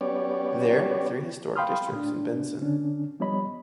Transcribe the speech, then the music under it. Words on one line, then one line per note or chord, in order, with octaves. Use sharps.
There three historic districts in Benson.
F#3 B3 C#4 G4 C#5 D5
F5 G5 B5 C6 D#6 F6
A2 D4
D3 C#4 D4
F3 G3 B3 C#5 D#5 B5